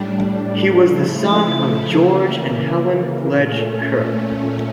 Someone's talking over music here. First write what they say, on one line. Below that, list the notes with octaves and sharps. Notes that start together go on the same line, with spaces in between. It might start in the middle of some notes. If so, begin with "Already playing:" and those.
He was the son of George and Helen Legge Kerr.
Already playing: A2 G3 D4
C#3 F3 A3 E4
C#3 E3 A#3
A#2 A3 C#4